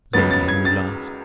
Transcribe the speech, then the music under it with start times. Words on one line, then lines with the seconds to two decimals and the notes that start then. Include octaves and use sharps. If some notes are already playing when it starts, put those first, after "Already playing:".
Lady Henry laughed.
0.13 C#2 C#3 F#3 B3 A6
0.31 A6
0.48 G#6
0.65 A6